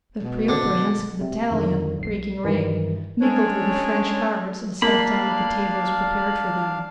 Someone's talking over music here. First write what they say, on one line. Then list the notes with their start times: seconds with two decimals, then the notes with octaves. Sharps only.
The Preobrazhensk battalion, breaking rank, mingled with the French Guards and sat down at the tables prepared for them.
0.22 B2
0.48 D3
1.21 C3
1.50 F2 D3 D#3
1.99 B1 C7
2.44 G2 D#3 E3 G3
3.21 G3 G#3 C#4 D4 A4 C#5
4.82 A#3 D4 F5 B5